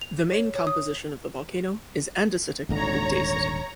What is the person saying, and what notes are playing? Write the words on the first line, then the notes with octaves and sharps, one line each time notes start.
The main composition of the volcano is andesitic and dacitic.
F7
C#5
C#5
D#6
D#1 G#1 D3 C#5 A#5